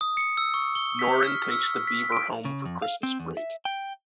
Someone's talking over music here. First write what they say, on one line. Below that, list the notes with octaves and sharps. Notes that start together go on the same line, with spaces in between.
Norrin takes The Beaver home for Christmas break.
D#6
C#7
E6
C#6
G7
B6
F6
E6
B6
D7
C#3
F2
F5
C4
E2
E5
G5